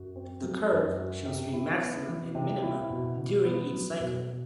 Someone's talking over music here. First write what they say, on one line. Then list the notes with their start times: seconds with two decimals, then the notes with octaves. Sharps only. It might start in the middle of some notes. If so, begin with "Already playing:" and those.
The curve shows three maxima and minima during each cycle.
Already playing: F#2 F#4
0.16 C4
0.43 F#3
0.71 F#2
0.98 F#4
1.25 C3
1.53 E4
1.80 B3
2.08 E3
2.35 C3
2.63 E4
2.90 B2
3.17 B2
3.45 B3
3.72 F#3
4.00 B2
4.27 B2